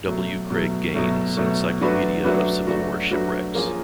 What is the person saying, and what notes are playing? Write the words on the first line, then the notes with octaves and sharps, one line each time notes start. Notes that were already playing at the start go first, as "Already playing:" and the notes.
W. Craig Gaines, "Encyclopedia of Civil War shipwrecks".
B2 F#3 A3
B2 F#3 A3
B2 F#3 A3
B2 F#3 A3
F#3 A3 D4 F#4 B4
F#3 A3 D4 F#4 B4
F#3 A3 D4 F#4 B4
F#3 A3 D4 F#4 B4
F3 A#3 C#4 F4 G#4